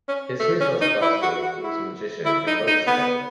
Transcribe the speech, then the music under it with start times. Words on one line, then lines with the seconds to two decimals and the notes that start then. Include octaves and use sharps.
History tells Fausto, who is a magician, invokes the Devil.
0.08 C#4
0.39 A3
0.61 C#4
0.81 D#4
1.02 E4
1.22 F#4
1.42 F#4
1.64 E4
2.25 E4
2.47 D#4
2.67 D#4
2.87 B3